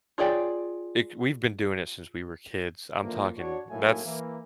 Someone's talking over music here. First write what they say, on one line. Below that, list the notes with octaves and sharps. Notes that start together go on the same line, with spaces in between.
like, we've been doing it since we were kids, I'm talking that's
F4 G#4 C#5 D5 G5
D3 E3 F3 A#3
D4 F#4 C#5
B1 A2 F#3 A#3 E4 G#5
E3 A#3